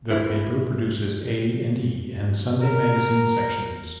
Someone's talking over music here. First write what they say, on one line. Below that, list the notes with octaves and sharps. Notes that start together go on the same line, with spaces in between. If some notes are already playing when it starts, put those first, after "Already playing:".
The paper produces A and E and Sunday Magazine sections.
E4
A#4